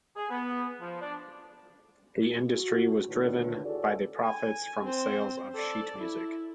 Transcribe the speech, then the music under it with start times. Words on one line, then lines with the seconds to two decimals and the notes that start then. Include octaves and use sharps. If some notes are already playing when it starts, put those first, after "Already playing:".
The industry was driven by the profits from the sales of sheet music.
0.17 G#4
0.31 B3
0.81 F3
1.02 D4
2.56 F#4
3.08 D2 A2 D3 D#3 F4 B4
3.65 F#4 G#4 A4 B4 C#5 D5
4.25 G#5
4.83 C4 C5
5.55 A4 D5
5.98 E4